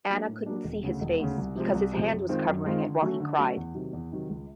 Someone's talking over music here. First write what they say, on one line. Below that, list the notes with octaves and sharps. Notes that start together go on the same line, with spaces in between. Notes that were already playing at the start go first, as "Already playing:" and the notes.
Anna couldn't see his face because his hand was covering it while he cried.
F#3 A#3 D4
A2
F#3 A#3 D4
E1
D2 C#3
E1
D2 C#3
C2
C3 F3 G#3
C2
C3 F3 G#3
F#2
D#3 G#3 C4 F4
F#2
D#3 G#3 C4 F4
D3
F#3 A3 C#4 F#4
D3
F#3 A3 C#4 F#4
E2
C3 D#3 F#3
E2
C3 D#3 F#3
C#2